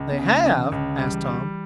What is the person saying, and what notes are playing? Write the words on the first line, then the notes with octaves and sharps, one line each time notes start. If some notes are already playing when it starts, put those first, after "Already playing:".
"They have?" asked Tom.
Already playing: C#2
B3
C#3
A3
C#3
E3
C#2 D3
G3
D3
E3
G3